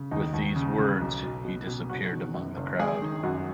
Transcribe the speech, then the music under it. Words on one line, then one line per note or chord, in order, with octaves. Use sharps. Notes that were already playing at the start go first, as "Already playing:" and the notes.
With these words he disappeared among the crowd.
Already playing: C#3
D#2 D#4
D#2
C#3
C#3
B1
B1
B2
B2
F#1 F#4
D#3
F#2
F#1
G#1 G#4
D#3
F#2 F#4